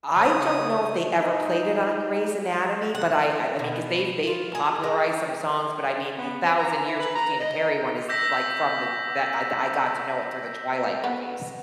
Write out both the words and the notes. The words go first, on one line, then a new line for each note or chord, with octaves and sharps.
I don't know if they ever played it on Grey's Anatomy, but, I I I mean, 'cause they've they've popularized some songs, but, I mean the Thousand Years Christina Perri one is, like, from the that I I got to know it through the Twilight movies.
C#3 C#5 D#6
D#4
F#5
B2
F4
G#4
G#3
B3
C4
A#5
E4
B4
A#5
D#5
D#4
D6 E6 G6 A#6 B6
B3